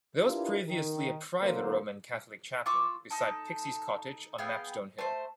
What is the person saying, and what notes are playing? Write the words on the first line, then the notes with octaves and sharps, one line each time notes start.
There was previously a private Roman Catholic chapel, beside Pixies Cottage on Mapstone Hill.
D4 E4 F4 G4 A#4 B4
D#3
D2 D3 F#3 A#3 A4 C5
F4 C#6 D6 E6
D#4 A4
B3 G#4 F5 G5
A3 C5